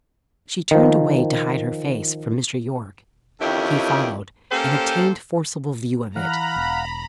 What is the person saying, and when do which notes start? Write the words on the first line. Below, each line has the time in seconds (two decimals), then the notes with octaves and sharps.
She turned away to hide her face from Mr. Yorke. He followed and obtained forcible view of it.
0.71 D#3 F3
3.40 F2 D3 D#3 C#4 E4 G4
4.51 A#3 C#4 G4 A4 C5
6.16 E3 F5 F#5 A#5 B5
6.56 E1